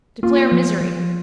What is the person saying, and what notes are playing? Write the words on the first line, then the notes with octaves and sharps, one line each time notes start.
Declare misery.
A#3 F4
F3
F3